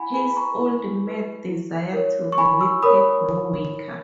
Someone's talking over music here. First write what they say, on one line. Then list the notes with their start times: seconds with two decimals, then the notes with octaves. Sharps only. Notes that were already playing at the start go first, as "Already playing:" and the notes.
His old mad desire to be with her grew weaker.
Already playing: E4 F#5 G#5 B5
0.14 G#4 B4 G#5 B5
0.28 B5
0.37 A#5 C#6
0.59 E4
1.03 G#4 B4
1.48 E4
1.93 A#4 C#5
2.32 C#6
2.38 E4 G#5 B5
2.61 C#6 E6
2.82 A#4 C#5 B5 D#6